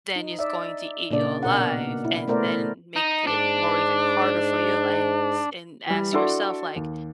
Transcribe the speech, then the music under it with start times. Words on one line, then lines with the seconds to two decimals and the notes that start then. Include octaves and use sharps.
then it's going to eat you alive, and then, make i it more even harder for you and s and ask yourself, like,
0.16 D#4
0.39 D5 E5
1.11 A#2 C#3 A#3 D4 D5
1.43 B2 A#4 F#5
2.05 E4
2.28 A3 B3 A#4 C5 D5
2.96 D#4
3.27 G#2 D4
5.87 E3 G3
6.13 D4 E4 F#4 A4 D5 C6
6.76 D#2